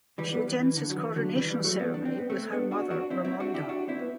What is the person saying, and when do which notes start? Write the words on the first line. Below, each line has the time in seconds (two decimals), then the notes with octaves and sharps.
She attends his coronation ceremony with her mother Ramonda.
0.18 E3 G3
0.33 G3 B3
0.48 E3
0.63 E3
0.77 D3
0.90 F#3
0.96 E3
1.16 D3 F#3
1.35 E3 G3
1.50 E3 G3
1.64 F#3 A3
1.79 G3 B3
1.94 D4
2.05 C4
2.18 B3
2.30 A3 C4
2.52 B3 D4
2.71 D4 F#4
2.90 D4 F#4
3.10 C4 E4
3.25 C4 E4
3.40 D4 F#4
3.54 E4 G4
3.69 D4 F#4
3.88 C4 E4
3.99 B3